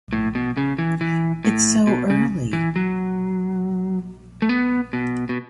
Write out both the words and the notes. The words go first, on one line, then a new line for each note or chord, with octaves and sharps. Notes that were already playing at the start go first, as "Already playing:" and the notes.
It's so early!
A2
B2
C#3
E3
E3
A2
B2
C#3
E3
F#3
A3
B3
B2
B2